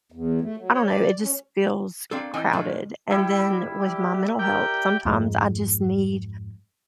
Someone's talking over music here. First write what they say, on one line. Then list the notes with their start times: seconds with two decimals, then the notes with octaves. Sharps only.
I don't know. It just feels crowded, and then with my mental health, sometimes I just need
0.12 E2
0.41 A3
0.57 F#3
0.73 C#5
0.85 D5
1.22 C#4
2.11 A#3 C4 D4 A4
2.34 E3 C4 D#4 G#5
2.53 A#2 F3 G#3 A3 D4
3.10 G3 E4 G5
3.79 G4
4.39 G4 A#4 G5
5.05 F2 G#2 G#3